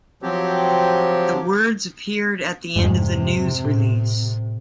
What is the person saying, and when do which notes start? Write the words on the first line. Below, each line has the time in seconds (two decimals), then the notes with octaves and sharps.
The words appeared at the end of the news release.
0.22 F3 F#3 C4 G4
2.76 F2 G#2 C3
3.65 A2